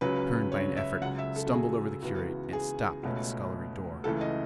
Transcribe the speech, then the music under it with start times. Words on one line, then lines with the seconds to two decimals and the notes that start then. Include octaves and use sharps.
I turned by an effort, stumbled over the curate, and stopped at the scullery door.
0.01 C#2 C#3 F#3 C#4 B4
0.52 C#5
0.77 E5
1.02 C#2 C#3 F#3 F#5
1.19 E5
1.36 A4
1.47 F#4
1.52 G#4
2.02 C#2 C#3 E3 B3 F#4
2.53 G#4
3.03 C#2 B2 A3 C#4
4.04 C#2 C#3 E3 A3 A4
4.21 D#5